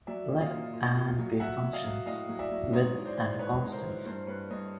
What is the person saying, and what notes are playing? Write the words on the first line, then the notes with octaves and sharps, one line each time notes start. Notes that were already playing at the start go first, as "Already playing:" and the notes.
Let and be functions, with and constants.
F#3 D5 E5
A#2
D#5 F5
A#2
A#2
A#2
F#3
F#3 E5 F#5
F#3
D#5 F5
F#3
A2 D#5 F5
F#3
D5 E5
F#3
G#2 C#5 D#5
E3
C5 D5
G#2
G#2 B4 C#5
G#2
A#4 C5
E3
G2 A#4 C5
G2 B4 C#5
G2 C#5 D#5